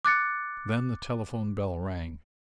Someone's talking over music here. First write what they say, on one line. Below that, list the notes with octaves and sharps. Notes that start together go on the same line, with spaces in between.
Then the telephone bell rang.
D6 F#6 A6 C#7